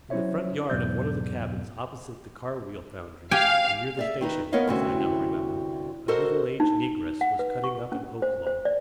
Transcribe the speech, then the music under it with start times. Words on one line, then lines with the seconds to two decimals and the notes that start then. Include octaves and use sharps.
In the front yard of one of the cabins opposite the car-wheel foundry, and near the station, as I now remember, a middle-aged negress was cutting up an oak log.
0.10 F#3 C#4 E4 C5 C#5 E5
0.70 E2 G#2 B2 F#3 D5 G6
3.31 G4 F5 G5 G#5
3.97 G#4 D5 E5
4.21 D#3 D#4 B4
4.52 B3 A#4 B4 C#5 D#5 F5
4.68 D2 G2 C3 C#4 E4 F#4
6.08 F#4 A4 A#4 C5 D#5
6.60 D#4
7.21 F#5
7.39 B4
7.64 C#6
7.92 C#4
8.22 C5
8.47 C5
8.65 D5